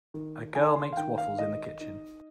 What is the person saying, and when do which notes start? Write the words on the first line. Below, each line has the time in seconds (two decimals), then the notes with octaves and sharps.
A girl makes waffles in the kitchen.
0.14 D#3
0.55 D#3 G#5
0.76 C6
0.93 F5
0.97 D#3 G5
1.18 F5
1.39 D#3 D#5
1.81 D#4